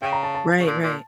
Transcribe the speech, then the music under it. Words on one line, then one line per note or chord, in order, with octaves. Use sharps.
Right, right.
C#3 G5
A#5
A5
A5
C#3
A#2
A#2